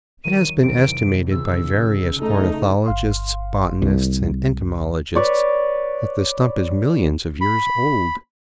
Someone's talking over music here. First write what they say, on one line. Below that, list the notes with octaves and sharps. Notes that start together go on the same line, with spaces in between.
It has been estimated by various ornithologists, botanists and entomologists that the stump is millions of years old.
D#3 F#3 D#7
E2 C3 D#3 D7
C#2 F4 E6 A6
A3 D#4 A4
G1 F5 C6
C2 G3
B4 C#5 D5
B5